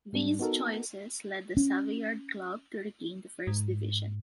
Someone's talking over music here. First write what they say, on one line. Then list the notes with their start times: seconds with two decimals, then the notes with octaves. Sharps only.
These choices led the Savoyard club to regain the first division.
0.13 G#2 G3 D4
0.39 B3 D#4 F#4 A4 A#4
1.57 C#4
3.47 G#2